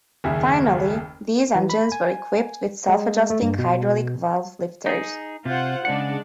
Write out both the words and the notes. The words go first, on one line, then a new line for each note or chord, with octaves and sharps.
Finally, these engines were equipped with self-adjusting hydraulic valve lifters.
F#1 D#2 G#4 E5
E3
B5
G#5
G#3
A3
G2
B2
D#4 G#4
C3 F4 C5 F#5
C#3 G#3 D4 F#5